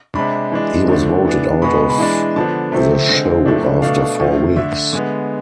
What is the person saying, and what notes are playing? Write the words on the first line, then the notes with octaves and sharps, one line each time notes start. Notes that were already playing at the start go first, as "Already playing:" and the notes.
He was voted out of the show after four weeks.
C3 G#3 D4 B5
E3 G#3 D4
D3 F3 A3 D4
E3 B3 D4
B2 G#3 B3 B5
B5
E3 G#3 D4
D3 F3 B3 D4 A5
C3 F3 A3 C4
D3 G#3 C4
A2 F3 A3 D4
B2 A3 D4 F5
A2 F3 A3
D3 A3 D4 E5
D3 G#3 B3